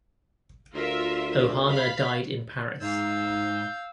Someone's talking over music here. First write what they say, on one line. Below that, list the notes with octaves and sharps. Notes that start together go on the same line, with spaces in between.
Ohana died in Paris.
D2 F4 A#4 E5
F5 B5
G#2 D#4 F5 E6 G6